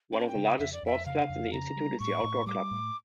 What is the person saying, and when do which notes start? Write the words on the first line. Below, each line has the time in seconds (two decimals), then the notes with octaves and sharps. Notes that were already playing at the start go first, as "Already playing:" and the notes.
One of the largest sports clubs in the Institute is the Outdoor Club.
0.12 C#4 G5
0.20 A5
0.28 G5
0.35 C#3
0.59 F2 E5
0.73 D5
0.83 F2 E5
1.06 C#3 F5
1.29 F2
1.53 C#3 A#5
1.76 G3
2.00 A2 C#6
2.24 A2
2.46 G3 D6
2.71 A2